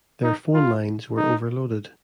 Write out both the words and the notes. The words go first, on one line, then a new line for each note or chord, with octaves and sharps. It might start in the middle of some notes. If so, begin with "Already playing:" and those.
Their phone lines were overloaded.
D#4
F4
D#4